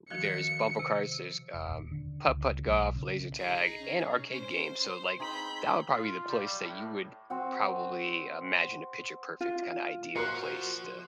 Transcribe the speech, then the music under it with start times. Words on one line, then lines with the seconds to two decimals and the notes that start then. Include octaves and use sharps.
w there's bumper cars, there's, um, putt-putt golf, laser tag, and arcade games, so, like, that would, probably, be the place that you would, probably, imagine a picture perfect, kinda, ideal place to s
0.10 D#3 F3 F#4 C#7
0.79 C3
1.54 F1
1.69 D#1
1.91 D3
2.27 C#2
2.67 B1
2.95 C#3
3.38 D#4 G#4
3.79 C#4
4.33 C5
4.79 C6
5.20 C4 D#4 G#4 B5 G6
5.91 F4
6.29 G3
6.62 A2
7.30 C4 F#4
9.41 F4
10.16 A#2 F3 F#4 F#6 C7 C#7